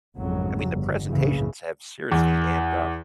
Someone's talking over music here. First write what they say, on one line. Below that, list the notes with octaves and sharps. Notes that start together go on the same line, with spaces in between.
I mean, the presentations have seriously amped up.
G#1 F2 C#3 F#3
G1
F#1 C2 A2 C#3 E3
E2